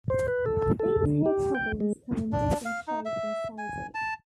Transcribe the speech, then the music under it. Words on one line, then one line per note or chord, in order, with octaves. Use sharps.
These hair coverings come in different shapes and sizes.
C5
B4
A4
A4
D3
G4
G5
G#3
D4
F5
D#4
E5
G#5
A5